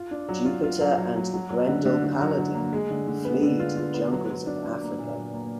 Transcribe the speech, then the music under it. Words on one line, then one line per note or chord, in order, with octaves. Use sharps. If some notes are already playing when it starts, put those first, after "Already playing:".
Jupiter and the Grendel paladin flee to the jungles of Africa.
Already playing: F4
D4
F#3
F4
F4
F#3
F#3
F#3
F#3
F#3
D3
D3
D3
F#3
F#3
A#3
G#3
D3
D3
B3
D3
F4
F4
B3
F#3
F#3
D4
D4
A#3
A#2
F#3
A#3